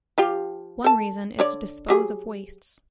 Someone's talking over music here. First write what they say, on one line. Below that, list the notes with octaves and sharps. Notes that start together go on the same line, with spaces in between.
One reason is to dispose of wastes.
F3 F4 G4
A4 A5
D3 C#5 D5
F#3 G4 G#4